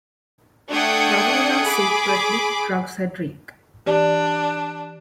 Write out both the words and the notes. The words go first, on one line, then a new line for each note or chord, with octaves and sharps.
Ramona secretly drugs her drink.
A3 D4 F#5 G5 D#6 G#6
G#4 B5 D6
E3 D4 G4 D5